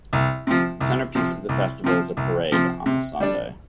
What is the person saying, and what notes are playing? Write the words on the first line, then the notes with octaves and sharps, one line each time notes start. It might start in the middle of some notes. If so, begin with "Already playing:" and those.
The centrepiece of the festival is a parade on the Sunday.
C2
C3 F3
C2
C3 F3
C2
C3 F3
C2
C3 F3
C3
G3 D4